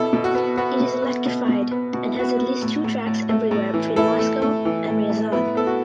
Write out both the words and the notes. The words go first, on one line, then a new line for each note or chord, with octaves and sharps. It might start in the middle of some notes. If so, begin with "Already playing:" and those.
It is electrified and has at least two tracks everywhere between Moscow and Ryazan.
Already playing: B2 E4 A4
B2
F#4
B3
B3 F#4
B2
B3
B2
B2
B3
B2 F#4
E4
B3 F#4
B3
A2
A2
A2
A3
A2
E3
E3 E4 A4
A3
A3
E3
A2
A2
B3 E4
B3 A4
F#4